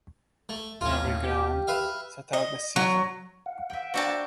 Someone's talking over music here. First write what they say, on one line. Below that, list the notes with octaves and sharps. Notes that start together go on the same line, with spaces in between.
Henry Graham sat out the season.
A3
A1 D#2 C#4 F4
A2
G4
B4 E5 F5
D#5
F#3
F5 F#5
E5 G5
A#3 D4 F#4 C5 E5 G5 A5